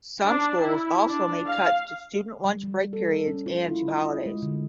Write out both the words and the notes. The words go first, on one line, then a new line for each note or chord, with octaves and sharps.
Some schools also made cuts to student lunch break periods and to holidays.
D4
E4
D4
F5
G3
G3
A4
C#4
F4
E4
D#5
F4
G#3
D3